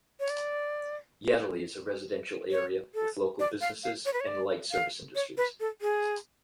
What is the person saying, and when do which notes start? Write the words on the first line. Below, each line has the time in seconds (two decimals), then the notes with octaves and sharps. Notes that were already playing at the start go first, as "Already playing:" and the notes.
Yateley is a residential area with local businesses and light service industries.
0.20 C#5
0.30 D5
2.51 C#5
2.95 A4
3.40 D5
3.61 F5
3.84 F5
4.06 C#5
4.14 B4
4.20 C#5
4.27 D5
4.71 F5
5.15 C#5
5.37 B4
5.60 A4
5.82 G#4